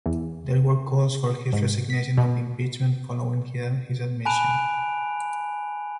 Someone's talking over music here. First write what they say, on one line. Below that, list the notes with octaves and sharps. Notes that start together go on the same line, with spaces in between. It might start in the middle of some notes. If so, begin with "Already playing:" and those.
There were calls for his resignation or impeachment following his admission.
E2
G#2
B6
B2
G#5 A5 B5 F#6 D7 F7